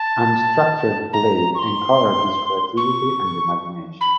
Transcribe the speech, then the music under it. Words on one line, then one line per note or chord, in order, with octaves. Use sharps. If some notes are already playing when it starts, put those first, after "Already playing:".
Unstructured play encourages creativity and imagination.
Already playing: A5
A#5
C#6
C6
C#6
B5